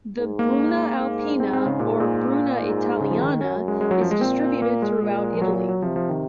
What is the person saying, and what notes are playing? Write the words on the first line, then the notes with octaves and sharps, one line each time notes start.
The Bruna Alpina or Bruna Italiana is distributed throughout Italy.
G#2
A#3
G#2
C4
C4
C#3
A#2
A#2
G#2
C#3
F3
D#3
F#2 C#4
G#3
G#3
F#3
F3
G#3
A#2 C4
A#3
G#3
A#2
F3
F#3
F#3
F#3
C3 F3
F3
D#3